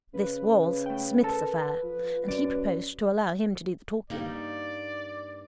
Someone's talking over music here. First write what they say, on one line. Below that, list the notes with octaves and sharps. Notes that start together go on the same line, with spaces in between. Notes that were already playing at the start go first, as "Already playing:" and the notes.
This was Psmith's affair, and he proposed to allow him to do the talking.
C#3 B4
A3 G5
A4 A#4 A5
F3
F#2 D5
G2 G3 A#3 D#4 D5